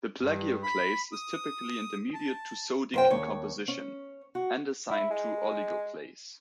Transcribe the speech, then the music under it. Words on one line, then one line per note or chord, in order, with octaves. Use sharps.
The plagioclase is typically intermediate to sodic in composition, andesine to oligoclase.
G2
B5
D#6
A5
F#2 C5 G5
D#2 C#5
C#4
F#4
E4
G#3